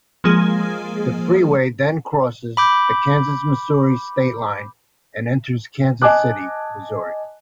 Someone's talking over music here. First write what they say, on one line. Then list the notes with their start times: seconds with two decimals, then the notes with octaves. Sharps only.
The freeway then crosses the Kansas-Missouri state line and enters Kansas City, Missouri.
0.24 F3 G#3 A#3 G#4
2.57 B5 D6 G6
6.02 D#5 G#5 A5 D6 F#6